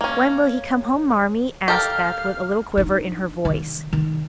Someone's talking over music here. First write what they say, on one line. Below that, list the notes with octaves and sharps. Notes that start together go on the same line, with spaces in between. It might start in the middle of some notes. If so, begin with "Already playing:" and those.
"When will he come home, Marmee?" asked Beth, with a little quiver in her voice.
A#3 C#4
G4 A4 A#4 F5 F6
D4 D#4
D#3
D#3